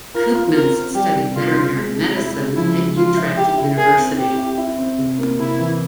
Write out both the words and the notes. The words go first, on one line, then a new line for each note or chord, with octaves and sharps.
Koopmans studied veterinary medicine at Utrecht University.
F4 A#4
F4
C4 A#4
C4
G3 G4
C3
C3 F4
C4
G#3
G#3
G#3 E4
C#3
F3 E4
G#3
F3 F4
E4
E4 G4
E4
G#4 A#4
C4
C4 G4
E4
E4
C4
C3
A#3
C3 E4
E3